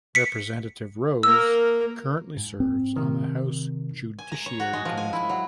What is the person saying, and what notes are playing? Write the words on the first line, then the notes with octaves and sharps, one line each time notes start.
Representative Rose currently serves on the House Judiciary committee.
B6 C#7
A#3 A#4 E6
G#2
C4
C3 D#3
G#5
A#5
C#5
F#4
G#3
F3
G#5
E4
F#3